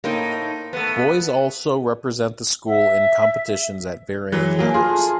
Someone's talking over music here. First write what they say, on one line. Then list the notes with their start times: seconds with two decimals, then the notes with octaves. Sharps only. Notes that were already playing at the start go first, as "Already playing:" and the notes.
Boys also represent the school in competitions at varying levels.
0.04 A2 A#3 D#4 C5 G5
0.73 A3 B3
2.67 E5
4.32 E3 F#3 G#3
4.59 F#3 A#3 G#4 A5
4.74 F4 G#4 B4
4.89 A3 C6